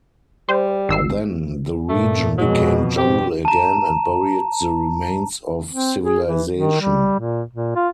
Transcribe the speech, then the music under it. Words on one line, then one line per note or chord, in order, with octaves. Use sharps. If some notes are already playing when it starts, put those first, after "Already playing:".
Then the region became jungle again and buried the remains of civilization.
G3 C5
G#1 E6 C7
G2 A#2 A3
F2 B2 F#3 G#3
C4 G4
A5 A#5
C4
G#4
E3
D#3
G3
A#2
A#2
F4